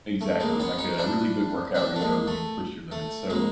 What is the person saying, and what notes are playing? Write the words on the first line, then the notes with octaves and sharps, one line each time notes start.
Exactly, like a really good workout where you know you've pushed your limits. So,
A3
G#3 A#3
B3 C#4
C#4 D#4
D4 E4
C4 D4
A3
G#3 A#3
A3
A3
G#3 A#3